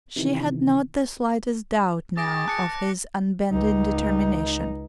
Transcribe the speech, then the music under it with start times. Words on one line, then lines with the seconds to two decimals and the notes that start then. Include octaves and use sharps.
She had not the slightest doubt now of his unbending determination.
0.16 C3 D#3 E3
2.17 G#4 D6 A6 A#6 D7
2.48 A5 F#6 C#7
3.52 C#2 D#4